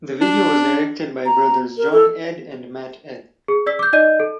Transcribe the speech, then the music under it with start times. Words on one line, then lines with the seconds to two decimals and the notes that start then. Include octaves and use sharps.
The video was directed by brothers John Edde and Matt Edde.
0.21 D4
1.26 A#5
1.78 A#4
1.92 A4
3.48 G#4
3.66 D5 E6 B6
3.79 D6 G6
3.93 D#4 D5 D#5 G6 D#7
4.20 A4